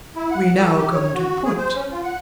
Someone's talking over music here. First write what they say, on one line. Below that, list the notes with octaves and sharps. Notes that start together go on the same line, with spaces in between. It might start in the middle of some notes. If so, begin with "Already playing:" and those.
We now come to the point.
E4
F#5
A4
G4
C#5
F#4
G#4
C5
C#4
F4
F#5